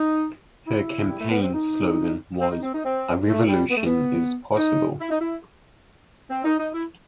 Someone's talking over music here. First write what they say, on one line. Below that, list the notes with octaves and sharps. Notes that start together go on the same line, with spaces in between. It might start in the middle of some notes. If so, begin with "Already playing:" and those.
Her campaign slogan was "a revolution is possible".
Already playing: D#4
E4
G3
A3
B3
C4
D#4
C4
D#4
C4
D#4
C4
A3
G3
B3
A3
B3
D#4
E4
D#4
E4
C4
D#4
D#4
E4